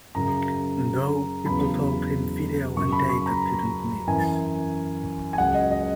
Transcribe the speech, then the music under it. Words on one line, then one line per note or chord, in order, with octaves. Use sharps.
Though, people told him video and data couldn't mix.
F#2 C#3 F#3 A#5
E2 C#3 F#3 B5
F#2 C#3 F#3 C#6
B5
C#6
A#5
F#2 E3 G#5
G#5
C#2 C#3 F#3 F#5
D#5
D#5